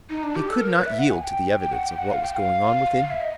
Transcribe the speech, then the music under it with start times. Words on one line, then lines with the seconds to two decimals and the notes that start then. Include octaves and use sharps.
He could not yield to the evidence of what was going on within him.
0.10 D#4
0.23 D4
0.36 G4
0.49 A4
0.61 A#4
0.73 B4
0.86 E5
0.99 F#5
1.11 G#5
1.24 G5
1.60 G5
1.72 F#5
1.84 G5
1.98 F#5
2.11 F5
2.23 G5
2.35 F5
3.11 E5
3.20 D#5